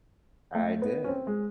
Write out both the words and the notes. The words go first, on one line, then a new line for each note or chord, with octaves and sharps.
I did.
A3
B3
C#4
C4
G#3